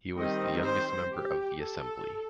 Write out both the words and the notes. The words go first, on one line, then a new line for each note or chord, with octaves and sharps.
He was the youngest member of the assembly.
D#3 G3 C4 D#5
C5
G4
A4